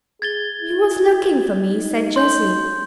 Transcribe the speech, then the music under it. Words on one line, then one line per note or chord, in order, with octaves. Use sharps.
"He was looking for me," said Jessie.
G#4 G#6 A6 G7
E4
D#4
C6 G6